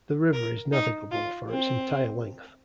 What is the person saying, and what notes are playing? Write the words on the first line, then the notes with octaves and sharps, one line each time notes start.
The river is navigable for its entire length.
A#4
D#4
F4
C4